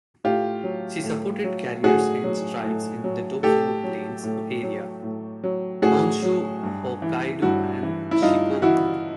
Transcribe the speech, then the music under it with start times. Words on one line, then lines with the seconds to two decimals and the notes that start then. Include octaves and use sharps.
She supported carriers in strikes in the Tokyo Plains area, Honshu, Hokkaido, and Shikoku.
0.24 A2 F4 G4
0.64 F#3
1.04 A2
1.44 F#3
1.83 A2 F#4 G#4
2.24 F#3
2.64 A2
3.04 F#3
3.43 A2 G4 A4
3.84 F#3
4.24 A2
4.63 F#3
5.03 A2
5.44 F#3
5.82 A2 F#4 G#4
6.22 F#3
6.63 G2
7.02 E3
7.42 G2 E4 F#4
7.83 E3
8.11 E4
8.22 G2 D#4 F4
8.62 E3 E4 F#4